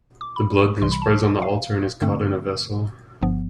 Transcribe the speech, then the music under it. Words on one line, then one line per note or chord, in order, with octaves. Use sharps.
The blood then spreads on the altar and is caught in a vessel.
D6
B5
C2 C3 E3 G3 C6
B5
A5
F5
G2 D3 A3 C4
G1 G2 F3 B3